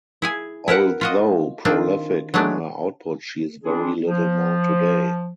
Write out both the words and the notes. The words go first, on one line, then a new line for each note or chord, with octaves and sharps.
Although prolific in her output she is very little known today.
E4 G#4 G#5
E4 A#4 B4 F#5
F4 F#4 D#5
D#3 C4 D4 F4
F#3 G#3 A3 D4
E3 C4 D4 F4 G#4
F3